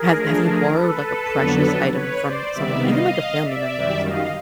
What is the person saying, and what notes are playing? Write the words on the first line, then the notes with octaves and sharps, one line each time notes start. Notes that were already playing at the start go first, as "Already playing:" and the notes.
Have have you borrowed, like, a precious item from someone, even, like, a family member or something?
Already playing: G#4 A#4
F3 A3 D4
G#4 A#4
A4 B4
F2 D3 F#3 B3 D4
B4 C#5
C5 D5
C3 D#3 G3 B3 D5 E5
D#5 F5
D5 E5
F#2 D#3 G3
D#5 F5